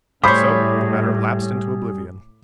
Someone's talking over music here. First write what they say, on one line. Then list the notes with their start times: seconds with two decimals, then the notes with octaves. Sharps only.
So the matter lapsed into oblivion.
0.24 A2 G3 G#4 C5 C#5 B5 D6 B6